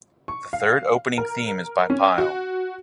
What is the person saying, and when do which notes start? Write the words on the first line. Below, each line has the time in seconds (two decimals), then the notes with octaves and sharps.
The third opening theme is by Pile.
0.28 C#6
0.53 F5
1.18 A#4
1.90 C#4
2.18 F#4